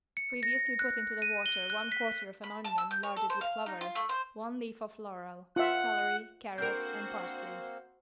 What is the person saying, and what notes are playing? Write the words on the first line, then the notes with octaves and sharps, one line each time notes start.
Previously put into the water one quarter of an onion larded with clover, one leaf of laurel, celery, carrot and parsley.
C#7
A#6
F#6
D#7
G7
F#6
B6
B5
A5
E6
G6
C#5
A4
C5
F5
D#4
F4
A3
C5
F4 E5 F#5
A#3 C4 D4 F#4 A#4 C5 F5 G6